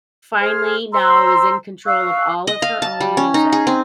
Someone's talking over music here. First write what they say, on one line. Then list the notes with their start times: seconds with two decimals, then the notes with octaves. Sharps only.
finally now is in control of all of her own music.
0.40 G#4 C5 F6
0.93 C5 A#5 C6 E6
1.85 F5 C#6 E6 F#6
2.47 D#5
2.62 F5
2.82 A5
3.00 G3
3.17 C#4
3.34 D#4
3.52 G#4
3.67 C4